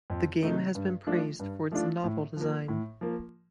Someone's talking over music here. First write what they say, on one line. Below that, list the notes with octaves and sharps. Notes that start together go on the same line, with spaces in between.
The game has been praised for its novel design.
F2
C3 D#3 A3 D#4
G2
F3 A3 D4 F4
G2
F3 A3 D4 F4
A2
F3 A#3
A2
F3 A#3